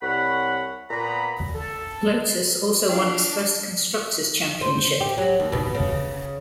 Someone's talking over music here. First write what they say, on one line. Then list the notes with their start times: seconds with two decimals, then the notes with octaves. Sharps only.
Lotus also won its first constructors' championship.
0.02 C2 C#5 F#5 B5
0.91 A#2 B3 A#5 B5
1.55 A4
2.89 D4 F4 F5 G5
4.61 C5
5.00 G4
5.18 F#3
5.40 D#2
5.52 B2
5.75 C#3